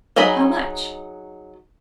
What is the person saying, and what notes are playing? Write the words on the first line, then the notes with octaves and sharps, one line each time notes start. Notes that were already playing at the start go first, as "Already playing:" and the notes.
"How much?"
F#3 D#4 G#4 D#5 B5